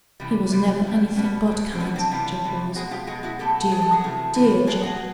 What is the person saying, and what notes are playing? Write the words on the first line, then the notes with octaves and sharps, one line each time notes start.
He was never anything but kind--Jack was--dear, dear Jack!
C3 E3 G3
C3 E3 G3
B2 G3
B2 G3 B3 C#4
B2 G3
C4
B2 G3 B3 C#4
C4 D4
C3 E3 G3 F4 G4
C3 E3 G3
B2 G#3 F#4 G#4
F4 G4
B2 G#3 F#4 G#4
E4 F#4
B2 F#3 A3 G4 A4
B2 F#3 A3 G#4
A4
F#4 G#4
C3 E3 A3
C3 E3 A3
A#2 F#3 A3 G#4 A#4
F#4 G#4